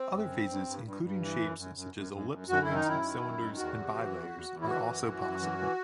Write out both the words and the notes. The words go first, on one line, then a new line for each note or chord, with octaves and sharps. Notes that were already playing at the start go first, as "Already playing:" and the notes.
Other phases, including shapes such as ellipsoids, cylinders, and bilayers, are also possible.
Already playing: C4
F#2
G2
G2
G2
G2
G2
E3
F#2
F#2
F#2
F#2
F#2
F#2
F#2 F#4
E4
D#3
D#4
F#2 E4
D#3
F#2
D#3
E2 F#4
C3
E3
E2
E2
E2
E4
E3 F#4
F#2
E3
F#2
E3
E3